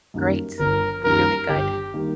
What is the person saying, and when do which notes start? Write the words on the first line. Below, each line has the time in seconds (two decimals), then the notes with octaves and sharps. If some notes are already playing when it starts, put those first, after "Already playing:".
great, really good.
0.14 F#2 D#3 G3 A#3
0.59 G1 A#4
1.04 F#2 D#3 G3 A#3 A#4
1.49 G1 G4
1.94 D#3 G3 A#3